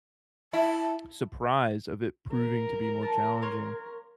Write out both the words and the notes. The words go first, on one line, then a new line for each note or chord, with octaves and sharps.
surprise of it proving to be more challenging
E4 A5
A#4
A5
A#3 C#5 C6